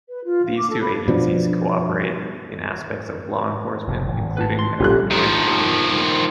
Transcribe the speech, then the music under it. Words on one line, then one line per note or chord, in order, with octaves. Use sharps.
These two agencies co-operate in aspects of law enforcement, including their joint marine unit.
B4
F4
F5
D6
A4
B5
B2 F3 D4
F1 F#2 A2
G#1
B4 A5
C6
A#1 A#2 G3 C#4 F4 A4 F#6
D#3 F3